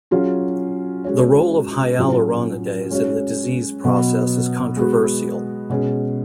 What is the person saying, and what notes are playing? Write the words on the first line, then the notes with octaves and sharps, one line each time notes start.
The role of hyaluronidase in the disease process is controversial.
F#3 C#4 F4 G#4
G#3 C#4 F#4 C#5
A2 F#3 C#4 F4 G#4
G#3 C#4 F#4 C#5
B2 F#3 B3
G#3 B3 F#4
B2 G#3 C#4 G#4